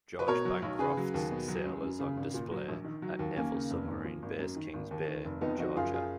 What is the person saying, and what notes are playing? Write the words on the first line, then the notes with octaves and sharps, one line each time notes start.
"George Bancroft"s sail is on display at Naval Submarine Base Kings Bay, Georgia.
B4
B2 A#4 C#5
F#3
B1
C#3 G#4 B4
F#3
D#2
B2
F#3
C#2
F#2
C#3
G#1
A#2
F#3
A#1
D#3
F#3
D#2
D#2 A#3 C#4
C#3
F1
G#2
F3
G#1
F#2
D#3
G#1
D#2
D#3
F1
F2 B3 D#4
F3 D#4 F#4
F#1 F4 G#4
F4 G#4